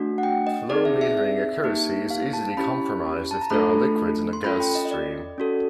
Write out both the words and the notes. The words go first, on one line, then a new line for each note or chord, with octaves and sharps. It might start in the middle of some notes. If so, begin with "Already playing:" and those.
Flow metering accuracy is easily compromised if there are liquids in the gas stream.
Already playing: A3 D4 F#4
F#5
G5
D#5
C4 D#4 G#4 D5
E5
E5
E5
A#3 D#4 G4
F5
A5
C#4 E4 G4 B5
A5
A#5
A3 D4 F4 A4 B5
C6
C#4 F4 A4 B5
G5
D#5
D#5
D5
C#4 F#4 A4